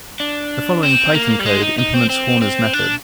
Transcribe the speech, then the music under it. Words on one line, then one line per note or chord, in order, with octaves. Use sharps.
The following Python code implements Horner's method.
D4
C4
A#3
G3
G#3
D#4
D#4
C4
C4
C4
D4